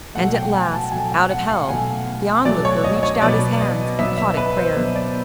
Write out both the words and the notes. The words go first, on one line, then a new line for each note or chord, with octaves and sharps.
And at last, out of hell, the Onlooker reached out his hands and caught at prayer.
B2 F#3 A3 F#5
G5
G#5
A5
B2 F#3 A3 G#5
G5
F#5
F5
B2 F#3 A3 G#5
B2 F#3 A3 D5
C#5
D#5
C#5
B2 F#3 B3 D5
D#5
B2 F#3 B3 E5
E5
B4
C5
B2 F#3 B3
D5